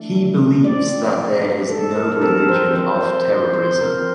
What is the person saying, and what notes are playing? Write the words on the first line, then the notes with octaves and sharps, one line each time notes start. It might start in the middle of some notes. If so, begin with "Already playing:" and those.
He believes that there is no religion of terrorism.
Already playing: E3 A3 D4
F3 C4 D5
A4
A#4
A4
F3 C4 A#4
C5
C5
C5
C5
C5
F3 C4 A#4